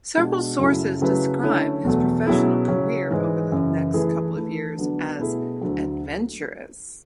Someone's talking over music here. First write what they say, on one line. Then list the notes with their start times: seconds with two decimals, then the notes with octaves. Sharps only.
Several sources describe his professional career over the next couple of years as "adventurous".
0.17 B2 G#3 D4 F#4
0.59 F#2 C#3 F#3 A3 E4
1.01 C#3 F#3 A3 E4 B4
1.43 D3 A3 C#4 E4
1.84 E2 B2 F#3 A3
2.26 B2 F#3 C#4 E4 G#4
2.68 C#3 F#3 C#4
3.10 G#2 E3 G#3
3.52 F#2 C#3 E3
3.94 E3 A3 E4 G#4 B4
4.36 E3 A3 E4 A4
4.77 D3 F#3 B3 D4
5.19 B2 A3 E4 G#4 B4
5.61 D2 D3 F#3